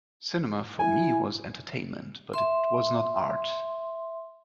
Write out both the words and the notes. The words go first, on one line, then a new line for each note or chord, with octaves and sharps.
Cinema for me was entertainment, but it was not art.
E4 G#5
E5 C6